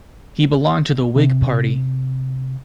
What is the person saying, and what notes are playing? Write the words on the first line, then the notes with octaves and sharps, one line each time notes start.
He belonged to the Whig party.
C3